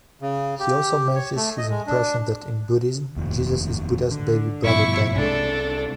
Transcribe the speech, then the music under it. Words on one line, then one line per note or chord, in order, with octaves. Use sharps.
He also mentions his impression that in Buddhism, Jesus is "Buddha's baby brother Benny".
C#3
G4
C#5
A3
D#5
G#3
D4
F1 D#2
D3
G2 B2 F3 E4 C#6
C2 C3 G#3 D4 A4